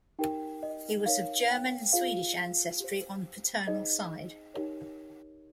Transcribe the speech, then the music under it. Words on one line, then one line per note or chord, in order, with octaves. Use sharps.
He was of German and Swedish ancestry on paternal side.
D#4 G4 A#4 G5
D#5
D#4 A#4 C#5 F5
G5
F4 G#4 C5 F5
G4 C5
D#4 G#4 C5 D#5
D#4 G4 A#4 C#5